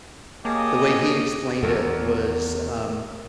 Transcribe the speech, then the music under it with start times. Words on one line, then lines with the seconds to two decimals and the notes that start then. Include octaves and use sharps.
the way he explained it was, um,
0.45 A#3 G4 G#4 C#5 D#5 A5
1.63 E2 D#3 A4